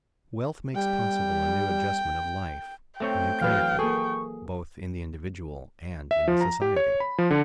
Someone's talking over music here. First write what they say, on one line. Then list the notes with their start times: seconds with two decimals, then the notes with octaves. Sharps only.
Wealth makes possible a new adjustment of life, a new character, both in the individual and in the society.
0.75 G3 G5
3.00 A3 C4 C#5 G5
3.41 E3 F#3 B4 F5
3.79 A#3 G#4 A4 C#6
6.11 E5
6.28 F3
6.41 A#5
6.62 G4
6.76 C#5
7.00 B5
7.18 F3
7.31 D3